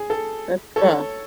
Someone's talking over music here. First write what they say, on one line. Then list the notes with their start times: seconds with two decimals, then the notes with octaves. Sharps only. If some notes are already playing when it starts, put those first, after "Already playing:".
That's cool.
Already playing: G#4
0.10 A4
0.76 A4 C#5